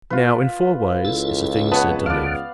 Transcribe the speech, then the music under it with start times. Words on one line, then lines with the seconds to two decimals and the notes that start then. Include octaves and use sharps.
Now, in four ways is a thing said to live.
0.10 F4 B4
1.05 C#2 E4 A4
1.72 B3 B4 C#5 F#5 A5
2.06 D2 D3 D5 F5